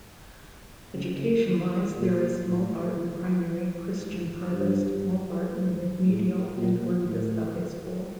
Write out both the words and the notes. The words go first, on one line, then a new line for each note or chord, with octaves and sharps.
Education-wise there is Mulbarton Primary; Christian Harvest; Mulbarton Remedial and Glenvista High School.
C#3
D#3
A#2
A2
G#2
G2
G#2
A2
A#2
A2